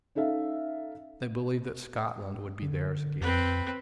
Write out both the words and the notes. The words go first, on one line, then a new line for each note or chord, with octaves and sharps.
They believed that Scotland would be theirs again.
C#4 D#4 A4 E5 F5
D3
F2 C4 B4